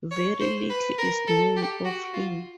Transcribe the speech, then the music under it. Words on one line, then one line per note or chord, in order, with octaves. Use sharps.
Very little is known of him.
C#5
C5
B4
A#4
A4
G4
F#4
F4